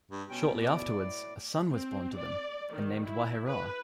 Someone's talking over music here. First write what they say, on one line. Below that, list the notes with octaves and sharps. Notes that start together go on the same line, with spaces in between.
Shortly afterwards, a son was born to them, and named Wahieroa.
G2
B2 C#4 G5
A2 D5
C4
D5
D#3
E4
B4